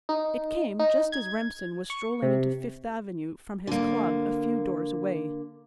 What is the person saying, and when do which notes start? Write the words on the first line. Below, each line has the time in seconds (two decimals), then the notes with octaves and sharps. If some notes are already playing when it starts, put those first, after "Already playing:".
It came just as Remsen was strolling into Fifth avenue from his club a few doors away.
0.09 D#4
0.79 D#4
1.12 G#6
1.90 C#6
2.22 C3
3.67 D3 A#3